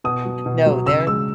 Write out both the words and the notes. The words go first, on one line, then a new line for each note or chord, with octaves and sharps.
No, they're
B2 D#6
F#3
B2
F#3
C#3 E6
G#3 E6